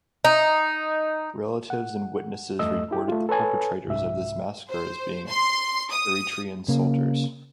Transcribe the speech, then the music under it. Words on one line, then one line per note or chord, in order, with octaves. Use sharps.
Relatives and witnesses reported the perpetrators of this massacre as being Eritrean soldiers.
D#4
F#5
E2 G2 G3 A3 D#5 E6
E4 G4
A3 F4
A4 B4 C#5 G#5 A5
C2 G#2 E5
C5
C6
D#6
C#3 A#3